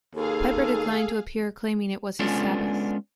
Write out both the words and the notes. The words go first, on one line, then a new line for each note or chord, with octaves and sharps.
Piper declined to appear, claiming it was his Sabbath.
D#2 G#4 A4 F5
G#3 B3 C#4 D4 F4 A4